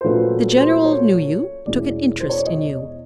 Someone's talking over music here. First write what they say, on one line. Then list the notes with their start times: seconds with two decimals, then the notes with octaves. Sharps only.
The General knew you, took an interest in you.
0.01 C5
0.04 A#2 F#3 A3 C#4 F4 B4
0.58 C5
0.85 C#5
1.66 E2 B2 G#3 C#4 E4 D5
2.20 C5
2.29 C#5
2.38 D5
2.46 D#5